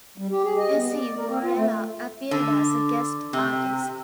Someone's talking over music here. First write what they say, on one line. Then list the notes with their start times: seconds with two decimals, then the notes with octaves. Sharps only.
Essi Wuorela appeared as a guest artist.
0.18 G3
0.31 G4
0.44 G#4
0.58 D#5
0.75 B3
0.92 D5
1.17 A#4
1.28 C4
1.43 F4
1.56 A3
2.31 D3
3.33 C3